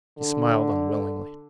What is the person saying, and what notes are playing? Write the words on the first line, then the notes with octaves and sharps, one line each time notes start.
He smiled unwillingly.
D3